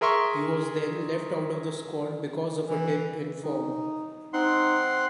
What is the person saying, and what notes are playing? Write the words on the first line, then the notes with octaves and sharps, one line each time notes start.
He was then left out of the squad because of a dip in form.
G#4 A#4 E5 C6 C#6
E3
D#4
C4 D#4 F#5 C6